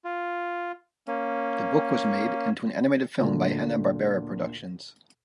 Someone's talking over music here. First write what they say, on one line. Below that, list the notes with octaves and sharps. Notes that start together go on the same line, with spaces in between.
The book was made into an animated film by Hanna-Barbera Productions.
F4
A#3 C#4
D2 A#2 D3